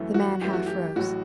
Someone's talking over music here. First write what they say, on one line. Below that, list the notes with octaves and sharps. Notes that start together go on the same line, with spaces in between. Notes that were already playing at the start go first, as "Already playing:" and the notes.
The man half rose.
Already playing: F#2 E3 A3
F#4
F#2 E3 A3 G4
F#4
G4
A1 A2 F#3 F#4